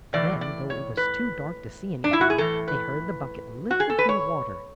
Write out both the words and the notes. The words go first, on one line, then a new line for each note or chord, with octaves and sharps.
Then though it was too dark to see anything, they heard the bucket lifted from the water.
A2 E3 D5
D5
C#5
B4
D4
E4
F#4
G#4
A2 E3 A4
B4
F#4
G#4
A4
B4
C#5